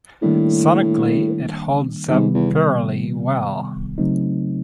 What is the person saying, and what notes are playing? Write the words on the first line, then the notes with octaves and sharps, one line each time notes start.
Sonically, it holds up fairly well.
A2 D#3 G3 A#3 D4
G#2 C3 D#3 G3 B3
E2
C#3 F#3 A3 C4 D#4